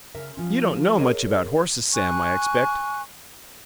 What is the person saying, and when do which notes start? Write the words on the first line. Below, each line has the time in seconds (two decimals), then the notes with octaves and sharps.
You don't know much about horses, Sam, I expect.
0.15 C#3 A#4 E5
0.37 F3 C#4
0.99 G#4 A#4 C#5 D#5
1.94 G#5 C#6 F#6